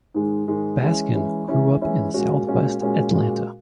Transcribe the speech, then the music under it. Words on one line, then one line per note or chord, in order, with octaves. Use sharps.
Baskin grew up in Southwest Atlanta.
G#2 D#3 G#3
G#2 D#3 G#3
E3 G#3 C#4 E4
E3 G#3 C#4 E4
E3 G#3 C#4 E4
E3 G#3 C#4 E4
A#2 G#3 C#4 F#4
A#2 G#3 C#4 F#4
A#2 G#3 C#4 F#4
A#2 G#3 C#4 F#4